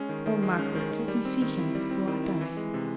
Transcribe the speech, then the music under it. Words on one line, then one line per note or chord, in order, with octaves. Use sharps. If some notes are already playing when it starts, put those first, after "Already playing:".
Oh, Margaret, let me see him before I die!'
Already playing: G#3 C#4
D#3
D#3
G#3
C#4
D#3
D#3
G3
C4
D#3
E4
G3
C4
D#3
E4
E3
G#3
C3